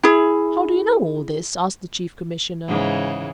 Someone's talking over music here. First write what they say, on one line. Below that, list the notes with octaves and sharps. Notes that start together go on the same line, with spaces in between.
"How do you know all this?" asked the Chief Commissioner.
E4 G#4
G#2 C#3 E3